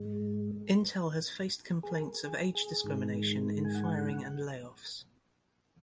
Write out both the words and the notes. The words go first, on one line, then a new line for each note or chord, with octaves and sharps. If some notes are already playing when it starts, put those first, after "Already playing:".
Intel has faced complaints of age discrimination in firing and layoffs.
Already playing: G#2 G#3
G#4
A#4
G#4
G#4
G#2 D#3 G#3
G#5
F#5